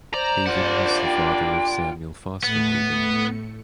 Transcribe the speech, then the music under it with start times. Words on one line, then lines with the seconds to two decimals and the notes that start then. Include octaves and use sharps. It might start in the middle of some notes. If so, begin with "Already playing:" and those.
Haven was the father of Samuel Foster Haven.
0.14 C5 D5 A#5
0.46 G3 A#3 D4 F4 F#5
1.04 G5
2.43 A2 A3 B3 C#7